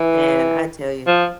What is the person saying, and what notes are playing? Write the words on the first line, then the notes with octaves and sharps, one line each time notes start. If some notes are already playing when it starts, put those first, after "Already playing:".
And I tell ya
Already playing: E3
F3